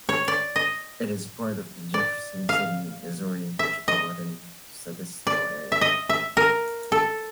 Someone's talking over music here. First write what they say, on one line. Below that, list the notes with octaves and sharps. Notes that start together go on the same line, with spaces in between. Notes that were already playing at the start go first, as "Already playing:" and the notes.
It is part of the Jefferson City, Missouri Metropolitan Statistical Area.
C#5
D5
D#5
D5
F5
E5
D#5
D5
E5
D#5
E5
A#4
A4